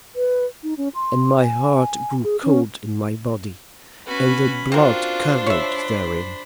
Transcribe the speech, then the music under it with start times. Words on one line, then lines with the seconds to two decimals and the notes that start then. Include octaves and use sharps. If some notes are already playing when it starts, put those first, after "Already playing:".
And my heart grew cold in my body, and the blood curdled therein.
0.15 B4
0.63 D#4
0.77 C#4
0.95 C6
1.40 G#5
2.23 G#4
2.43 C#4
4.07 C#4 F#4 B4 B5
4.72 C4 D4 F4 F#4 A#4 C5
5.47 C#5 E5 B5